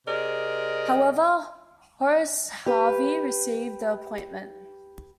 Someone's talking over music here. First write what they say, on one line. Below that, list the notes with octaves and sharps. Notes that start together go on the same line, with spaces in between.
However, Horace Harvey received the appointment.
C3 G#4 A#4 D5 D#5
G4 B4